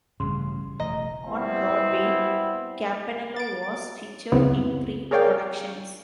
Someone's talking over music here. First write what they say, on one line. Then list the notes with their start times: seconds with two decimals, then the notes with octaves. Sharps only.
On Broadway, Campanella was featured in three productions.
0.20 A1 G2 C#3 G3 C6
0.80 E1 E3 A3 D#5 A#5
1.27 G3 B3 C4 E4
3.36 A6 D7
4.32 C#2 F#2 C#3 E3 B3 C4
5.11 G#4 A#4 C#5 D5 F5 G5